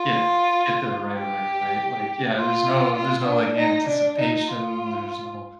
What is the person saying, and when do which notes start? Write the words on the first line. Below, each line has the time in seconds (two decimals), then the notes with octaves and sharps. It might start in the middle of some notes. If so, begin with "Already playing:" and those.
get get there right away, right? Like, yeah, there's no there's no, like, anticipation, there's no
Already playing: F4
1.14 G4
2.35 F4
2.96 F4
3.27 D4
3.58 D#4
3.88 D4
4.19 D#4
4.50 F4